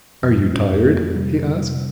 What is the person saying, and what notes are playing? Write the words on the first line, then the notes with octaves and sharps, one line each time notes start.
"Are you tired?" he asked.
F2
C#4
F2
A#3
C3 G3
C3